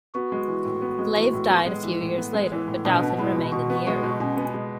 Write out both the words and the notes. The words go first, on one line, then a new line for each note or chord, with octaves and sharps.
Glave died a few years later, but Dalton remained in the area.
B3 F#4
G#3
E3
A2
B3
G#3
E3
A2
B3
G#3
E3
A2
B3
G#3
E3
A2
B2 D4
B3
G#3 E4
B2
B2 F#4
B3
G#3 F#4
B2
B2 C#4
B3
G#3